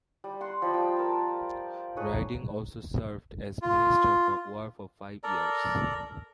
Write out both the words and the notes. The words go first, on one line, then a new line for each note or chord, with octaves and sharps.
Ryding also served as Minister for War for five years.
G3
F#5 C6
F3 G3 D#5
D5 G5
A#4 A5
D#4 G#4 B4 C#5
F4
A4 A#4 D5 A#5